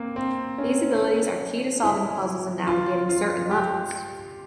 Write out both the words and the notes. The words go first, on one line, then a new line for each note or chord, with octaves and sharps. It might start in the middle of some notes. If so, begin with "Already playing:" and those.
These abilities are key to solving puzzles and navigating certain levels.
Already playing: A#3 C4
C4
C#4
E4
F4
F4
G4